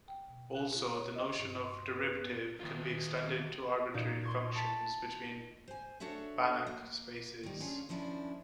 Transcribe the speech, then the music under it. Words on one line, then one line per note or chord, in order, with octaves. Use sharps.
Also, the notion of derivative can be extended to arbitrary functions between Banach spaces.
G5
B2
F#6
F4
C#5
D#5
G2
C6
B4
B3
D#3 F4
A#2 D#4 G6
C6 C#6 G#6
A5 A6 B6
C5 G#5
D4 F#4 A4 C#5 E5
A#3
D#3 G3
C#4 D4 F4 G#4
D#2 F3 C#4 D4 E4